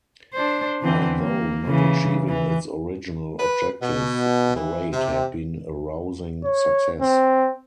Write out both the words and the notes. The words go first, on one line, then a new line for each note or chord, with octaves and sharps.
Although not achieving its original objective, the raid had been a rousing success.
D4 C5
D3 E3 C4
A#3
C#3 E3
E3
B4
B2
E3
C3
C#5
C4